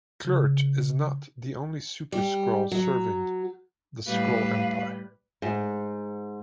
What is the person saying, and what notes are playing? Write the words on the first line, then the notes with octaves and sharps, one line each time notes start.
Kl'rt is not the only Super-Skrull serving the Skrull Empire.
C#3
G3
F#3
A2 G3 B4 F5
G#2